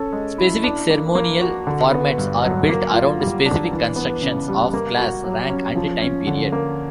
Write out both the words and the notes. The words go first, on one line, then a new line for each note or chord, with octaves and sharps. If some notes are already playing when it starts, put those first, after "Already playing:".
Specific ceremonial formats are built around specific constructions of class, rank, and time period.
Already playing: C#4 A4
G#3
E4
D4
A#3
A#3
F#4
D3
B3
G2
F#3
A#3
F4
G3
D4
E3
B3
C#3
G3
A#3
F#4
F#3
C#4
F3
C#4
D3
A#3